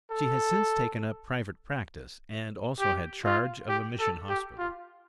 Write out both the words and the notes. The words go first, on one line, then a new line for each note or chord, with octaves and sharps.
She has since taken up private practice and also had charge of a mission hospital.
A4
G4
F4
G4
A4
G4
F4